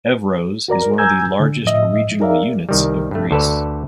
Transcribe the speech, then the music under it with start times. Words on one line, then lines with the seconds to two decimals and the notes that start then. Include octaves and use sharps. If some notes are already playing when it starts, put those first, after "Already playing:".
Evros is one of the largest regional units of Greece.
0.68 F#4 A#4 D5 A#5
0.82 A#4
0.98 G#5 A#5 E6 G6 G#6
1.40 D3
1.65 A2 F3 D#5 E5
2.20 D#4 G#4 A#4 D5 E5 F5
2.69 C2 D#3 G3
3.11 G2 A3
3.31 D2 A4 B4 D5